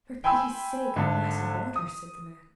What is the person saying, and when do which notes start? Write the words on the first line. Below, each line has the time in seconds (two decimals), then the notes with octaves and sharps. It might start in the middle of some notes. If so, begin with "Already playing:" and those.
"For pity's sake, a glass of water," said the man.
0.24 G5 G#5 B5 C6 E6
0.96 G#1 D3 A4
1.76 D#6